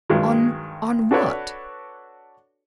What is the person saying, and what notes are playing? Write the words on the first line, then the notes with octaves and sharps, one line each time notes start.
"On--on what?"
G2 D#3 F#3 G#3
D4 F#4 A4 B4 C#5 D5